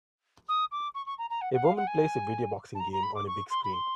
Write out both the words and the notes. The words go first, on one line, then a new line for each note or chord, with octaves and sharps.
A woman plays a video boxing game on a big screen.
D#6
D6
C#6
C#6
A#5
A#5
F#5
F#5
F5
F#5
G#5
A5
A#5
A#5
B5
D6
C#6
C6
B5
C6